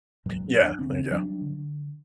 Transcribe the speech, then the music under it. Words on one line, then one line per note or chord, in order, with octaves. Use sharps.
Yeah. There you go.
G2 A#2 F#3 G#3
D4
D2 C#3 C4
F#3 G3 D4
D3